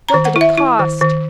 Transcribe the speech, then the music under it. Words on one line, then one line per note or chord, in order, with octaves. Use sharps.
"What did it cost?"
A#5
D#3
F#5
E4
E5
E4
D#3
D#3